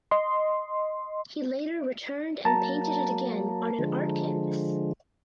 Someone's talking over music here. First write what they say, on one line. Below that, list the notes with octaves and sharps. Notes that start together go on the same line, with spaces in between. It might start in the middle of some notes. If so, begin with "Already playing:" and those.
He later returned and painted it again on an art canvas.
D#5 C6
F#3 A#3 A5 A#5
D3 F3 G#3